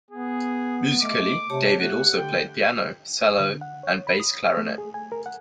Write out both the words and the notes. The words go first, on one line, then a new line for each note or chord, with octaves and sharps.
Musically, Davie also played piano, cello and bass clarinet.
B3 G#4
A3 D#5 D6
C3 G4 C#5 A5
A3 G4 F#5
D3 G5
D3
F#5
C#5
B5
D#6
A3
G#4
G#5
A#4
F#5